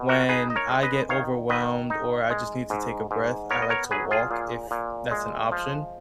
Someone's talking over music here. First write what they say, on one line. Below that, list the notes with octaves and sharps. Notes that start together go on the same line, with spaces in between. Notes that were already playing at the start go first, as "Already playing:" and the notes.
when I get overwhelmed or I just need to take a breath, I like to walk if that's an option.
Already playing: B2
F#4 A#4
D#4 G#4 B4
D#5
A#4 C#5
G#3
B4 D#5
D#3 C#5 F5
D#3 B4 D#5
D#4
G#3
G#2
G#2
B3 A#4 C#5
D#5
A#4 C#5
F#3 G#4 B4
F4 G#4
A#2
A#2
G#3
F3